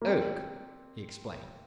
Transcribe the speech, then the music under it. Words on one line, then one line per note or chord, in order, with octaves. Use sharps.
"Oak," he explained.
A#3
C4